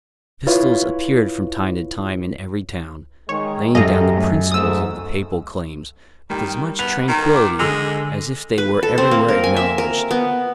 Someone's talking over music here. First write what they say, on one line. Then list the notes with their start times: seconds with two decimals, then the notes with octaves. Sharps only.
Epistles appeared from time to time in every town, laying down the principles of the papal claims with as much tranquillity as if they were everywhere acknowledged.
0.47 E4 F4 B4 C#5
3.29 D#3 G#3 C#5
3.75 F#2 G4 A4 D#5 F5 A#5
4.17 A2
4.52 G#2 A3 D#6 E6
6.30 D#3 G3
6.79 B3 F7
7.09 D#3
7.36 D6
7.59 D3 G#3 E6 F7
8.58 B4
8.83 A4
8.98 C4
9.11 A#3
9.28 A#4
9.44 G#5
9.56 E5
9.78 A#4
10.11 B3